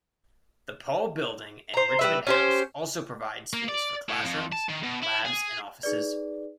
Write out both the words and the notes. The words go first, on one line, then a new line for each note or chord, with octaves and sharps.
The Paul Building and Richmond House also provide space for classrooms, labs and offices.
C5 A#5
G3 B4 E5
C#4 G4 C5
A#3
D5
A2
F2
A5
D#3
B2
E4
G#4
D#4 G#4 B4 D5